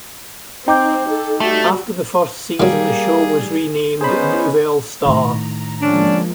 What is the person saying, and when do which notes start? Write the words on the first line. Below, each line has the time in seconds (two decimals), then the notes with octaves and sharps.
After the first season the show was renamed "Nouvelle Star".
0.68 C4 D#4 G5 D6 G6
1.09 A4
1.40 G3 A3 F#4
2.60 D#3 F#3 G3 A#3 G#4
4.01 B3 C#4 D#4 G#4 B4 C5 B5
5.06 A2 D#3 A#5
5.82 D3 F3 G#3 A#3 C#4 D4